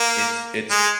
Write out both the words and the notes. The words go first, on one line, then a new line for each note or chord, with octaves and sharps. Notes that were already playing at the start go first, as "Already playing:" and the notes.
It's it's
Already playing: A#3
G#3